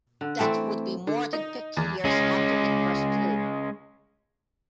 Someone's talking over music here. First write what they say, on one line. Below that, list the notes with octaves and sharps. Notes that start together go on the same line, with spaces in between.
That would be more than fifty years after it first flew.
D3
E3 A3 C4 D5
D3
D#4
E2
G#3 C#4